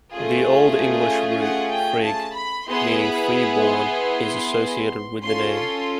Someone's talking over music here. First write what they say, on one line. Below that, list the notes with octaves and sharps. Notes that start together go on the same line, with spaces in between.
The Old English root "frig", meaning "free born", is associated with the name.
A3 C#4 F4 G#4
F#5
G5
A5
B5
B3 E4 G#4 C6
B5
B5
C6
C#4 F4 A4 C6
C6